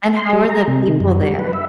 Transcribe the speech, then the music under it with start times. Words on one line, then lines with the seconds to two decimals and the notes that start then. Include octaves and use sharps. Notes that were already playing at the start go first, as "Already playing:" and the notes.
And how are the people there?
0.16 C6
0.33 G3
0.50 A#5
0.68 C3
0.88 D#3
1.00 F#2
1.22 G3
1.39 B4
1.53 E5